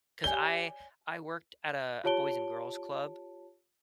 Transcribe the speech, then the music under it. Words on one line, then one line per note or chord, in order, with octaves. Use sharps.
'cause I I worked at a a boys and girls club
G4 C#5 D5 G#5 G7
F4 G4 C#5 A5 D7 G7